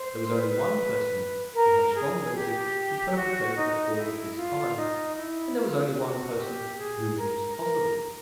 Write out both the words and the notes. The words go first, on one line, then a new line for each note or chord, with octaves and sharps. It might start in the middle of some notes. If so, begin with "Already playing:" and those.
There was only one person who had a strong motive for perpetrating a fraud of this kind, and there was only one person to whom it was possible.
Already playing: C5
B4
A#4
G#4
G4
F#4
D#4
E4
F4
D#4
E4
F4
F#4
G4
G#4
A#4
A#4